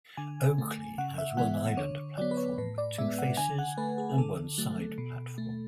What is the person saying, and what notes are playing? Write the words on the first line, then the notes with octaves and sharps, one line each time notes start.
Oakleigh has one island platform with two faces and one side platform.
D3 G#5
A3
C#3 F#5
E5
E3 G#3 B3 F#5
E5
D3 C#5
F#3 B3 D5
B4
C#5
A2 B4
D5
G#3 B3 E5
F#5
D3 G#5
F#5
A3 B4
G#4
G#4
D3 A4
F#3 A3
B2
A3